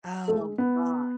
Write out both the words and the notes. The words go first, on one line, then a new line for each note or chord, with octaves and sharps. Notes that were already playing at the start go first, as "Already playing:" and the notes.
Oh god.
A3
G#3
B3